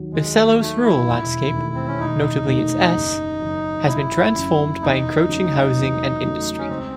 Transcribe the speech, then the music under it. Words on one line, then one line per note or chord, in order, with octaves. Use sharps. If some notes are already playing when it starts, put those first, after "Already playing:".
Usselo's rural landscape, notably its Es, has been transformed by encroaching housing and industry.
Already playing: D#2 D#3 F#3
D#2 G#3
A3
D#3 F#3 A3
E4
E1
D#2 D#3 A3
C4
C#4
E1 D#4
D#2 D#3 A3
F#1
F#2 C#3
F#1 E4
F#2 C#3
E2 D#4
C#3 F#3 A3
E2
C#3 F#3 A3
C#4
C#2 C4